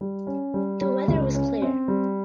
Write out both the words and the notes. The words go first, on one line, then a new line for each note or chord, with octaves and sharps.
The weather was clear.
G3
C#4
G3
G3
C#2
C#4
C4
G3